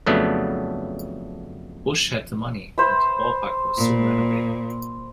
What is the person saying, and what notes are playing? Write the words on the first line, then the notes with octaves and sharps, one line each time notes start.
Busch had the money, and the ballpark was soon renovated.
F2 C#3 F#3 A3 B3 D4
C5 E5 B5
A#2